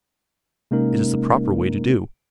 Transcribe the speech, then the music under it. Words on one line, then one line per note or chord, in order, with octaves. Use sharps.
It is the proper way to do.
C3 G#3 A#3 C#4 D#4 A#4